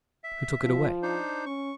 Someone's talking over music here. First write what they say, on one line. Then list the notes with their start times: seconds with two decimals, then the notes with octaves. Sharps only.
"Who took it away?"
0.24 E5
0.65 F3
1.03 D4 D#4 C5
1.46 C#4 C#6